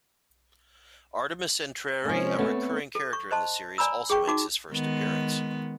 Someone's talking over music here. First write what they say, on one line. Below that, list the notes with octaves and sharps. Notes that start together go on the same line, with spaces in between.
Artemis Entreri, a recurring character in the series, also makes his first appearance.
C3 F3 G#3 A#3 C#4
A3 B3 C4 C#5
A4
C#6
C5 D#5 A5 C6
D5 G#5 A#5 B5 E6
G#4 G5 C#6
D#4 F#4 D6
D#3 G#3 B3